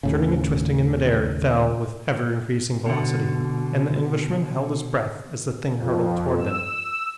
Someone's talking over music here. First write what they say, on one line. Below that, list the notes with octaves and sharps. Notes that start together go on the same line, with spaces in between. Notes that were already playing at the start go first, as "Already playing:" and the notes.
Turning and twisting in mid-air it fell with ever-increasing velocity and the Englishman held his breath as the thing hurtled toward them.
D#2 A2 C#3
B2 D3
F2
E6